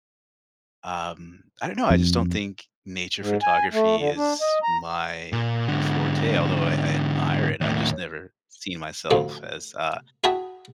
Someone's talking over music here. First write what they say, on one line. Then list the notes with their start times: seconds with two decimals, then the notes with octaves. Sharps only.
Um, I don't know, I just don't think nature photography is my forte, although I I admire it. I've just never seen myself as, uh,
1.90 F2
3.18 G#2
3.42 G#5
3.72 A3
3.98 D3
4.16 D4
4.41 D#5
4.63 A#5
5.33 A#2
5.68 G#2 D3
7.61 D#2 A2
9.11 A1 D2 D3 F3
10.24 E4 F#4 G#4 G5 A5 B5